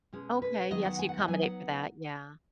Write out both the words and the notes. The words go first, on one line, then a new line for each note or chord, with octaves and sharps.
Okay, yes, you accommodate for that, yeah.
B2 G#3 C#4 G#4
B4
D#3 F#3 B3 D#4 D#5
F#5
G#5
F#5
D#5
F#3 B3 D#4 G#5
F#5